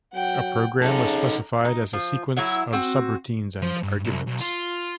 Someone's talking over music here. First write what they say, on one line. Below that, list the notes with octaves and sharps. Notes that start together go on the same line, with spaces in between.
A program was specified as a sequence of subroutines and arguments.
F#3 F#5 G5
C#3 D#4 A4 A#5
D#4
F3
F#3 E4 E5 F#5
C4 F#4
F3
G2
C2
B1
F4